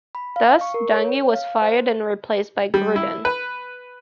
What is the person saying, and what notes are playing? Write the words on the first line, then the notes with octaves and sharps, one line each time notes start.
Thus, Dungy was fired and replaced by Gruden.
B5
F5
C#6
A#4
C#5
F5
C5
G3
E4
B4